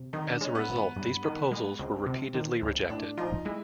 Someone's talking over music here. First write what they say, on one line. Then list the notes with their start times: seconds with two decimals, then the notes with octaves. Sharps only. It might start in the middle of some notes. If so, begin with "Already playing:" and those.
As a result, these proposals were repeatedly rejected.
Already playing: C3
0.13 D#3 D#4
0.27 D4
0.41 G#3 C#4
0.55 B3
0.69 G#1
0.96 G2
1.24 D#3
1.52 G#3
1.79 C#2 C4
2.07 C3
2.34 D#3
2.62 C#2
2.89 A2 D4
3.18 F3 D#4
3.45 G#3 E4